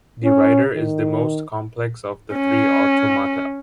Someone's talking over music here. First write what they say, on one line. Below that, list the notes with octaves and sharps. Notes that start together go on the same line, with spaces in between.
The writer is the most complex of the three automata.
C#4
D#3
C#4